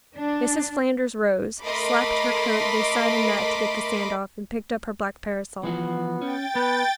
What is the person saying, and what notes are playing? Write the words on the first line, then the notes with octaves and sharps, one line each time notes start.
Mrs. Flanders rose, slapped her coat this side and that to get the sand off, and picked up her black parasol.
D4
A3 A#4 D#5 B5 C6 D6
E3 F3 B3 F#4
C#4 G5 A6
B3 B4